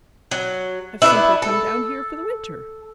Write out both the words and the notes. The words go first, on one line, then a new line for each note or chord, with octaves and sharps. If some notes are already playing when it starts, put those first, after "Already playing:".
I've simply come down here for the winter.
F#3
B3 D4 E4
A4